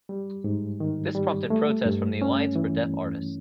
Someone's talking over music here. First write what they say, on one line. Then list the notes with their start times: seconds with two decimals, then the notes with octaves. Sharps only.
This prompted protests from the Alliance for Deaf Artists.
0.09 G3
0.44 G#2
0.80 D#3
1.15 G3
1.50 A3
1.86 G2
2.22 C#4
2.56 E3